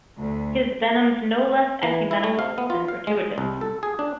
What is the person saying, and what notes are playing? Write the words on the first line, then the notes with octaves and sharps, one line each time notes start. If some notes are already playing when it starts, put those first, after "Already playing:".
His venom's no less ecumenical than gratuitous.
D2
E3
E4
A3
F5
B3
F4
F5
G#3
C2
A4
G#4
D4